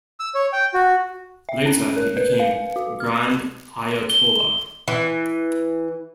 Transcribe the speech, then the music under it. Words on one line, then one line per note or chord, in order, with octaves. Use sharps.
Later he became Grand Ayatollah.
E6
C#5
G5
F#4
E5
C#4
A#4
B4
F5
F#4
F6
G7
E3